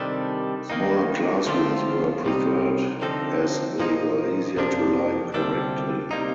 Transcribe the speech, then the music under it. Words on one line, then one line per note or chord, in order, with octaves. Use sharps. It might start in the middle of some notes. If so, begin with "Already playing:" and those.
Smaller classrooms were preferred as they were easier to light correctly.
Already playing: C3 D#3 G3 D4 A4
D#3 A#3 D#4
D3 F3 A3 C4 F4
C2 C3 G3 C4 D#4
D3 F3 C4 D#4 A4
A#2 F3 A#3 D#4
F2 C3 F3 A#3 D4
D2 C3 G3 D4 A4
C3 G3 A#3 D#4